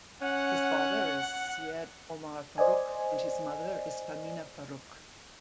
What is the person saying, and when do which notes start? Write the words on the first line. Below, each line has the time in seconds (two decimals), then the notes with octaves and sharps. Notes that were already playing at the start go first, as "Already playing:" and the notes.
His father is Syed Omar Faruk and his mother is Tahmina Faruk.
0.21 C#4 F#5
2.58 C5 D5 D#5 G#5